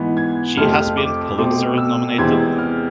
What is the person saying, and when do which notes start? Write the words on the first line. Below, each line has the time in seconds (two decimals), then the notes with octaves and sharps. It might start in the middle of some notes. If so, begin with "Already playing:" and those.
She has been Pulitzer-nominated.
Already playing: G#2 E3 B3
0.17 G#6
0.57 F2 C3 F3 A3 C4 F6
0.97 D6
1.38 B2 A3 C4 D6
1.78 E6
2.18 E2 C3 G#3 C4 G#6
2.58 F6